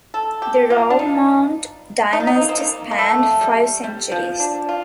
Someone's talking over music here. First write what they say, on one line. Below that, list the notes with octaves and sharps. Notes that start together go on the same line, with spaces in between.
The Rougemont dynasty spanned five centuries.
A4
G4
F4
D4
D#4
D#4
F4
D#4
A#3
C4
A#3
A#3
A3
G3
G3
F3
D4
F4